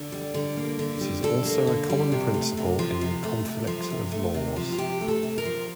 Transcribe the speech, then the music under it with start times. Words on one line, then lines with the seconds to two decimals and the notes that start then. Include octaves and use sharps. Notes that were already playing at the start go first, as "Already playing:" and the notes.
It is also a common principle in conflict of laws.
Already playing: D3 A4
0.12 G3
0.34 D3
0.57 A#3
0.79 D3
1.01 G3
1.23 D3 A4
1.45 A#3
1.67 D3
1.90 G3
2.12 C3
2.34 A3
2.57 C3
2.79 F3
3.01 C3
3.24 A3
3.45 C3
3.67 F3
3.90 C3
4.12 A3
4.34 C3
4.56 F3
4.72 F4
4.78 C3 G4
5.01 A3
5.08 A4
5.23 C3
5.38 A#4
5.45 F3